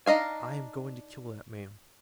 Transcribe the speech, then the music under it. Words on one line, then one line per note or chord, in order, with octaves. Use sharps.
I am going to kill that man.
D4 D#4 D#5 F5 G#5